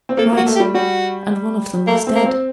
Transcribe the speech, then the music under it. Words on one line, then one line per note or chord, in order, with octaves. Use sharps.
"Right! and one of them was dead."
C4
A#3 A4
A#3 F#4
A3
G4
G3
G3 F#4
A3 A#3
C4
A#3
C4